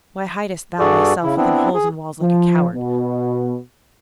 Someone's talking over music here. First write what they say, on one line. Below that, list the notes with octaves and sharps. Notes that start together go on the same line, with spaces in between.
Why hidest thou thyself within holes and walls like a coward?
G2 F#4 G#4 A4 D5
C#3 E4
B3 C4 D4 E4
G#4
F3
B2